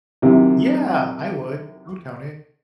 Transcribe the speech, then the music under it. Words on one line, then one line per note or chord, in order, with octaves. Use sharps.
Yeah, I would, I would count it.
F#2 C3 D#3 E3